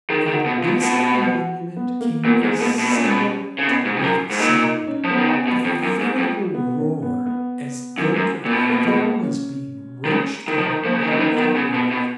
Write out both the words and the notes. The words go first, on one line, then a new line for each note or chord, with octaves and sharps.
From the base of the monument came a single terrific sound, a veritable roar, as though the thing was being wrenched from the heart of the earth.
D#3 G#4
D#3
F#4
B2
F4
B2
B2 F#4
F#4
F#4
F#4
B3
A#3
A#2 B3
G#2 G#3
B2 A#3
B2
A#2 C#4
B2
C#3
B2
G#2
F2
F#2
G#2
A#2 D#4
D#4
C#4
F3
B3
D#3
C#3
B2
F2
F#2
G#2
F2
B3
C#4
B3
B3
F#2
F#2
A#2
B2
A#3
G#3
A#3
C#4
D#3
C#3
D#3
F3
D#3
F3 A#3
C#3
D#3
C#3 D#4
D#3
B3
D#3
C#3
B2
B2